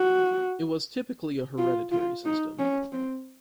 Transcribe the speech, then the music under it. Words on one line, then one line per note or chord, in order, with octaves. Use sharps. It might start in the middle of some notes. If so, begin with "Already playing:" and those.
It was typically a hereditary system.
Already playing: F#4
F4
F4
D#4
C#4
C4